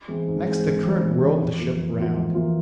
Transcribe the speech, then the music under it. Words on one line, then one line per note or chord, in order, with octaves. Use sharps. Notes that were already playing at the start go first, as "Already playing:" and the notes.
Next the current whirled the ship round.
E3 G#3 C4
G#2
E3 G#3 C4
G#2
E3 G#3 C4
G#2
E3 G#3 C4
F2
E3 A#3 F4
F2
E3 A#3 F4
F2
E3 A#3 F4